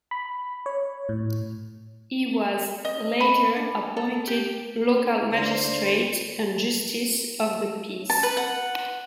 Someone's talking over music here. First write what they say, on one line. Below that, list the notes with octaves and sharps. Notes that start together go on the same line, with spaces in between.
He was later appointed local magistrate and Justice of the Peace.
B5
C#5
A2
D#5
B5
D4
A4
G4
D#2 D3 A4 C5 D5
A5
B4
F#5